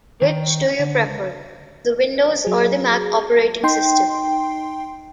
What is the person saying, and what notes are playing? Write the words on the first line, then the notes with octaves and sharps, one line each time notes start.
Which do you prefer: the Windows or the Mac operating system?
D#3
D3
C#2
F#3 G#4
D#4 G5 C6 C7